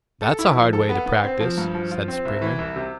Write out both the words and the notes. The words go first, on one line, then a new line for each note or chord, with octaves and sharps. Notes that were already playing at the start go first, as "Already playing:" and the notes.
"That's a hard way to practice," said Springer.
A4
E4
F3
A4
B3
B3
C4
F3
G2
F3
F4
C4
C2
E3
C2
C3